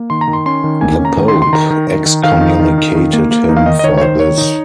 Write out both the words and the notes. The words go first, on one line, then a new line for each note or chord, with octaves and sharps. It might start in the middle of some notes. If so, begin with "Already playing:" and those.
The pope excommunicated him for this.
Already playing: A#3
D#3 C6
A#5
D#3
C6
C#4 C6
D#3
A#3 G#5
C#4
A#5
D#3
C6
D#3
C6
D#3 A#5
D#3
D#3
D#3
D#3 F5
D#4
D#3
D#4
D#3
A#3
A#3
D#4
F5
D#3 D#5
D#5
D#3 C#5
C#5
D#3 C5
D#3 C#5
D#4